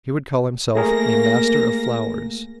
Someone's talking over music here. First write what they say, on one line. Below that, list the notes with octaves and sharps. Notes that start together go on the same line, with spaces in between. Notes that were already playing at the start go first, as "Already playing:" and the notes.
He would call himself a Master of Flowers.
A3 A#3 G#4 A#4 A#6